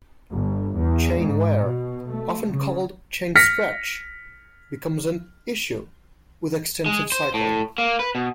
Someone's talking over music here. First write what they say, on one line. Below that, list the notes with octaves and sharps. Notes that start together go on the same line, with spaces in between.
Chain wear, often called "chain stretch", becomes an issue with extensive cycling.
G1
E2
G#2
B2
A3
C#3
F6 A#6 B6 C#7
G#3
C5
A2
A#3
B4
B2